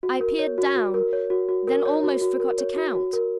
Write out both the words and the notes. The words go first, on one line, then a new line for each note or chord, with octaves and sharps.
I peered down, then almost forgot to count.
F#4
A#4
C#5
F#4
F#4
A#4
C#5
F#4
F#4
A#4
C#5
F#4
F#4
A#4
C#5
F#4
F#4
A#4